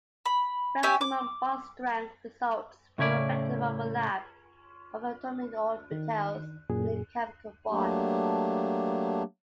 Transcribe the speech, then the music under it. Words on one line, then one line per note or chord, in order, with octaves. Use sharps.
Maximum bond strength results from effective overlap of atomic orbitals in a chemical bond.
B5
C#4 G4 E5 G#5
D6
A2 C#3 C#4 E4 D5
D#3
F#2 A#2 G#4
F#3 A3 A#3 D4 G4